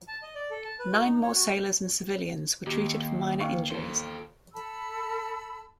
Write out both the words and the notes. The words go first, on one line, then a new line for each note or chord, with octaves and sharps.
Nine more sailors and civilians were treated for minor injuries.
A5
D#5
D5
A4
A5
B4
F#4
D#4
C#5
F#4
D#2 G4
D#2 F5 C#6
A4 C5
A4 A5 B5 E6